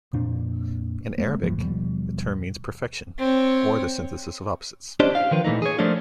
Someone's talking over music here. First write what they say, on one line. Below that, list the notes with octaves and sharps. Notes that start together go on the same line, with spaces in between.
In Arabic, the term means "perfection", or the "synthesis of opposites".
F2 A#2 D4
G#3 A#3
C#2 G2 E3 F3
D#2 B2 F3 G3
C4 C#5
C#4 D4 G4 C5 D5 D#5
F5
D#3 F3 B4
A#2 E3 A3 D#4
G#4 C#5
F3 A3 A#3 D4 F4